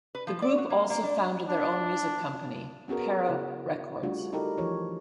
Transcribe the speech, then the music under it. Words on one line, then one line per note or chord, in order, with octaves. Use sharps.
The group also founded their own music company, Perro Records.
B4
F3
D5
F#4
A#3
A#3
D4
C#4
D4
B3 C#4 F#4 G#4 A#4
C#3 E4 F#5
G3 A3 D4 F4 F#4
D#4 E4 G4 A4 A#4
E3 F3 C#5